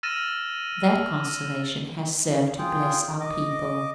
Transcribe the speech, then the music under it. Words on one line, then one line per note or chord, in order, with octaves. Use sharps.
That constellation has served to bless our people.
E6 F6 A6 A#6 D#7 E7
F4 G#4 G5
D#5 D6